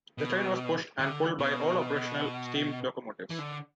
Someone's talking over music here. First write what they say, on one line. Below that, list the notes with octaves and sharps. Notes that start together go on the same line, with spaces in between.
The train was pushed and pulled by all operational steam locomotives.
B2
D3
B2
E3
D3